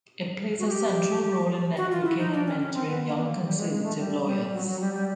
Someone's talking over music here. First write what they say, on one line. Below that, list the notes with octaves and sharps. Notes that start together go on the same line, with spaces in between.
It plays a central role in networking and mentoring young conservative lawyers.
F#4
G#4
G4
F#4
F4
E4
D#4
D4
C#4
C#4
C4
B3
A#3
B3
A#3
G3
G#3
G#3
A3
G3
G3
F#3
F#3
G3
G3